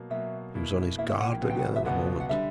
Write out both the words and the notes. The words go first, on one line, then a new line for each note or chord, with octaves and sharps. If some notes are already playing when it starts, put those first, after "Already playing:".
He was on his guard again in a moment.
Already playing: B2 F#3 A#3
B2 F#3 A#3 E5
B2 A#3 E4
B2 A#3 E4 E5
E5
F#5
G5
C#2 B2 F#3 B3 F#5
G5
F#5
E5
C#2 B2 F#3 B3 F#5
F#5
D3 G3 E5